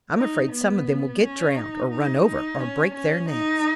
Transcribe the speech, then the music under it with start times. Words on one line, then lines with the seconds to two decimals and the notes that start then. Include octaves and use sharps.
I'm afraid some of them will get drowned, or run over, or break their necks.
0.17 D#4
0.53 B3
1.22 C#4
1.56 D#4
1.91 D#4
2.26 D#4
2.60 C#4
2.95 C#4
3.30 D#4